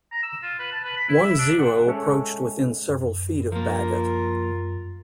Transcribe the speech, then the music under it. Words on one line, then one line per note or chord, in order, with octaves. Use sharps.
One Zero approached within several feet of Baggett.
A#5
E6
F4
B4
A5
B4
B5
E4
E5
D4
F#5
G#3 C#4 A4 C#5 E5
F#2
F3 A#3 F4 A#4